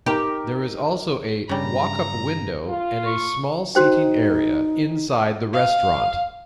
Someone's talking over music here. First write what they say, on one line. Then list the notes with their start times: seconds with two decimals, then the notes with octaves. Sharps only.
There is also a walkup window and a small seating area inside the restaurant.
0.06 D#4 G4 A#4
1.49 G2 C#3 G3 A#5
2.68 F4
3.06 C#6
3.75 D#4 F#4 C5 G5
5.53 F5